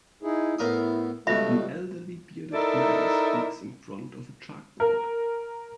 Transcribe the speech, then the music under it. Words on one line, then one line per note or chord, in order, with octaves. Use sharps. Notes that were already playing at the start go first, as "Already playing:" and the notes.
An elderly bearded man speaks in front of a chalkboard.
D#4 E4 G#4
A2 B3 E4 A#4 D#6
C#2 B2 G3 A3 F4 E5 B5
D#4 E4 A4 A#4 D5 E5
A#4